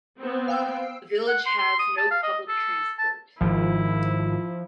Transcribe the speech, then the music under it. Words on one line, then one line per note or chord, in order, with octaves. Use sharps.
The village has no public transport.
B3 C4
F5 G5 E6
F#5
C6
C6
D#6
A5
F5
D#5
A4
A5
G#1 F3 E4